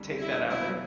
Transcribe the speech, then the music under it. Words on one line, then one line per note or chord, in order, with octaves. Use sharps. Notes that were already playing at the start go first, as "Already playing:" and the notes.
Take that out there?
Already playing: F2 D3 G3
E4
B2 F#3 A#3 E4